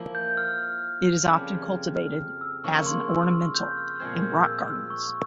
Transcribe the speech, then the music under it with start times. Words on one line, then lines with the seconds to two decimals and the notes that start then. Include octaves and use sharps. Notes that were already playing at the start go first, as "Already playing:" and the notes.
It is often cultivated as an ornamental in rock gardens.
Already playing: F3 A#3 E4
0.15 G6
0.37 F6
1.28 F2 C#3 G3
1.96 F6
2.41 E6
2.64 C#3 F3 A#3 C#6
2.86 C6
3.09 E6
3.32 F6
3.54 G6
3.77 F6
4.00 A#2 F3 G#3 C4 G#6
4.22 G6
4.45 E6
4.68 E6
4.90 C#6